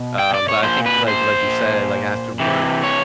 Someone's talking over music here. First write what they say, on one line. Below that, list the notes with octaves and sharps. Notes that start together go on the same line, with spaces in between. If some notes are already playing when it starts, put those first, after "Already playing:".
um, but I think like like you said, like after work,
Already playing: B2
G5
D5
C#5
A#2 C5
B4
C5
C3 E3
C#5